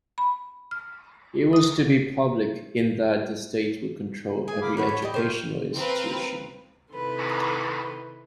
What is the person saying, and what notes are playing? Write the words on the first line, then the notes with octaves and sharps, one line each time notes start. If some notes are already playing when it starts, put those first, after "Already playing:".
It was to be public in that the state would control every educational institution.
B5
F6
D#6
G#4 G#5
A#3 B5 D6
D#2 A3 B3 B4 C#5 B5
A2
G4 D5 D#5
F4 A#4 C5 C#5 G5
C4 A#4 B4 F5
C3 D#3 E4 A4 B4 C6